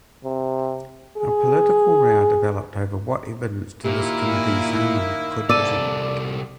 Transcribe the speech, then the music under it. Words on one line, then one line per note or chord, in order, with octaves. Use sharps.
A political row developed over what evidence to this committee Salmond could present.
C3
G#4
A#2 D#3 A#3 E4 G4
C2 A4 D5 E6 D#7